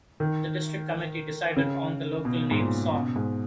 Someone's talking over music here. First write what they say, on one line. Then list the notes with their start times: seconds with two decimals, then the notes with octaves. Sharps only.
The district committee decided on the local name Sogn.
0.20 D#3
1.56 C#3
2.25 B2
2.51 G#2
2.59 A#2
2.94 B2
3.16 G#2